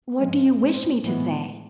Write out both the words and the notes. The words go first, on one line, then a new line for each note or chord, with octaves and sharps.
"What do you wish me to say?"
G#2 F3 G#3
A2 G#3 C4
A2 E3 G#3 B3